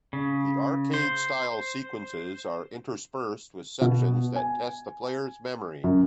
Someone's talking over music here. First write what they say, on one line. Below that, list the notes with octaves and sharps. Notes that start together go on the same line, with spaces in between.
The arcade-style sequences are interspersed with sections that test the player's memory.
C#3
C5
B2
G#5
F#2